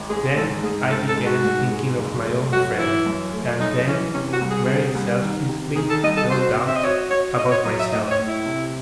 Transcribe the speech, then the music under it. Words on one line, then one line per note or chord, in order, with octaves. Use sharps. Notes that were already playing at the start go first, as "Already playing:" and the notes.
Then I began thinking of my own friends, and then, very selfishly no doubt, about myself.
Already playing: G#1
G#3 G#4
G#2 A4
G#2 G#4
G#2 A4
A4
G#3
F#4
G#2
G#3
F#1
A3
F#2 F#4
E3 E4
F#2
A3
F#2 D#4
E3 C#4
C3 C#4
F#4
C2
G#4
C3
C2
D#3
C3
D#3 G#4
A4
C2 D#5
A4
F#4 C5
C4
E5
D#5
F#4 C#5
F#4 C#5
F#4 D#5
C#5
F#3 D#5
E5
A2 D#5
C#5
A2
E4
C3